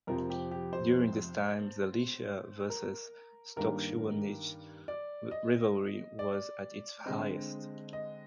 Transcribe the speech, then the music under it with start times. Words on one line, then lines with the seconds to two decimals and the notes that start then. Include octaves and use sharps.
During this time the Lechia vs Stoczniowiec rivalry was at its highest.
0.07 F2 C3 F3 C4 A#4
0.30 G4
0.51 G4
0.73 C5
2.70 A#4
3.56 G2 D#3 G3 A#3 A#4
4.88 D5
5.31 D#5
6.19 D5
7.06 D3 G#3 C4 D#5
7.93 D#5